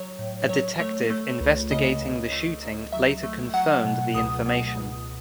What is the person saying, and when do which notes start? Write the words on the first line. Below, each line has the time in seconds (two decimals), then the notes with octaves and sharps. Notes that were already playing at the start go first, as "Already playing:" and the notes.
A detective investigating the shooting later confirmed the information.
Already playing: F#3 C#5
0.19 A2
0.49 F#3 C#5
0.79 A3 C#5
1.10 A3
1.41 C#2
1.71 C#3 D#5
2.02 C#2
2.32 A3
2.63 F#3
2.92 F#3 E5
3.23 A3
3.54 F#3 F#5
3.85 B2
4.15 C#2 D#6
4.46 B2
4.75 C#2